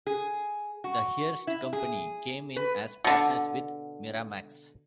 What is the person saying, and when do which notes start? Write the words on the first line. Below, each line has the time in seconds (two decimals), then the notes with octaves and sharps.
The Hearst company came in as partners with Miramax.
0.07 G#4
0.84 F#4
1.47 E4
1.73 G#4
2.56 B4
3.04 B2 D3